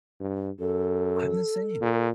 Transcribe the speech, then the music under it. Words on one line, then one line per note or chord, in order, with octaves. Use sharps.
I'm the same.
G2
F#2 A4
A#2